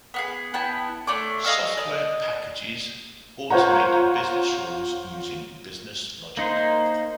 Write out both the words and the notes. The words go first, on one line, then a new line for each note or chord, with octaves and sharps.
Software packages automate business rules using business logic.
B3 F#4 G#4
B3 E4 G5 A5
A3 D4 C#5 D6
G#4 D#5 F5 E6
D5 D#5
F4 C5 C#5 F#5 A#5
A#3 D#4 C5